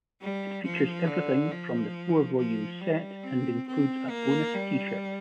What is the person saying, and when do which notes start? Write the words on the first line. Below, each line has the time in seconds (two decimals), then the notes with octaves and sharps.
It features everything from the four-volume set and includes a bonus T-shirt.
0.21 G3
0.64 F3
1.07 D3
1.51 F3
2.37 F3
2.81 G3
3.23 C4
3.68 C4
4.10 A#3
4.54 G3